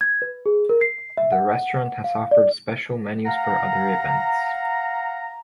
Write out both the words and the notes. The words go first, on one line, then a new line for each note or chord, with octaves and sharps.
The restaurant has offered special menus for other events.
G#6
B4
G#4
A#4
C7
E5
F#5
F5
D5
F5 F#5 A#5